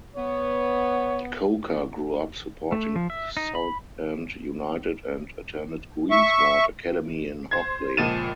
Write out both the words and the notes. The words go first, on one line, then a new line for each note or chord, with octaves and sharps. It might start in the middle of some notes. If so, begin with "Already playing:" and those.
Coker grew up supporting Southend United and attended Greensward Academy in Hockley.
B3 C#5
A3
F3
E5
D#4
B5
E5 C#6
C5 G#6
C#2 A#2 F3 A6 D#7 E7